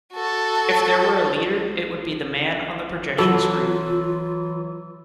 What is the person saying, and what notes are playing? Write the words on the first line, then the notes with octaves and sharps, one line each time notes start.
If there were a leader, it would be the man on the projection screen.
F#4 A4
E3 F#3 F4 F#4 A4